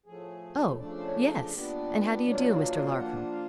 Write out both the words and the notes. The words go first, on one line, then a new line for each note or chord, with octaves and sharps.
'Oh, yes; and how do you do, Mr. Larcom?
A2 F3 A3 G#4
C#3 F3 A3 D4 D5
C5
C#5
D5
A#2 G3 B3 D4
B2 F#3 A#3 D4 F4
F3 A#3 D4 F4 F#5
F5